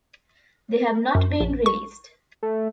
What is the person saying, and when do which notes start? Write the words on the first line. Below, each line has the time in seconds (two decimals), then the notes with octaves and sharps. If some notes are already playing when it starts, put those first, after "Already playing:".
They have not been released.
1.15 F#2
1.41 A#1
1.66 C#6
2.43 A3